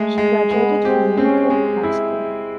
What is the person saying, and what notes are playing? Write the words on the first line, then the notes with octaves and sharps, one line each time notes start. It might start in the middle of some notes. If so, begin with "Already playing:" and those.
She graduated from Lincoln High School.
Already playing: G#3 A3
G#3
G#3 B3
C4 G4
C4 C#4
G#3
E4